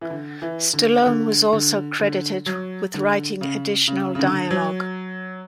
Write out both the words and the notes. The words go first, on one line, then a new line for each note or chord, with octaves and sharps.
Stallone was also credited with writing additional dialogue.
E3
D3
E3
D3
D3
D3
D3
F#3
D3
C#3
C#3
C#3
D3
F#3